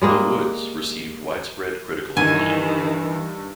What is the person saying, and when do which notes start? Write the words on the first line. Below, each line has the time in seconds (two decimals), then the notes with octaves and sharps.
"The Woods" received widespread critical acclaim.
0.01 G3 G#3 A#3
2.17 G2 D#3 E3 G#5